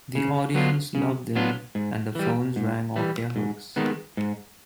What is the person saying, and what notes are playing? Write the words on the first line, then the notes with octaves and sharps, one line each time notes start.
The audience loved them and the phones rang off their hooks.
C#3
F#3 B3 D4 F4
C#3
F#3 B3 D4 F4
G#2
E3 G3
G#2
E3 G3
G#2
D#3 G#3 B3 D#4
G#2